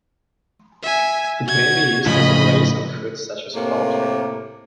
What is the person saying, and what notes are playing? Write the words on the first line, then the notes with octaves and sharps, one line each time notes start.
It may be used as a glaze on foods, such as poultry.
E5 G#5
F#4 G#6
A2 C#3 F3 D#5 B5
A2 C3 A#3